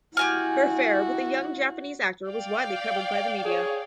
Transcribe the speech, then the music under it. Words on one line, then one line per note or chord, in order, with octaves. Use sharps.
Her affair with a young Japanese actor was widely covered by the media.
E4 F#4 G4 G#5 F6
D5 F5 G5
G#4 C#5